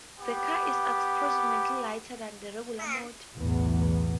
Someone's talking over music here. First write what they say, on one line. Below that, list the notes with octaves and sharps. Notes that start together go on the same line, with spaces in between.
The car is approximately lighter than the regular model.
B3 G4
B1 E2 A2 B3